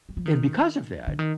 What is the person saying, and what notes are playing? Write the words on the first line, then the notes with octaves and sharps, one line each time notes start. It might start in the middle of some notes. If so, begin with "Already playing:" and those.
and, because of that,
G3
F3
D#3
D3
D#3